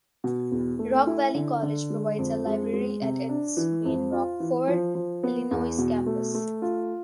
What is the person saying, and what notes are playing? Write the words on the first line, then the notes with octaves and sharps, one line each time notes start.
Rock Valley College provides a library at its main Rockford, Illinois Campus.
B2
E2
A3
E4
D3
D3
G#3
F2
G#3
G#3
C3
D4
E3
F2
F4
E3
F3
F3
B3
E2
B2
A3
A3
F4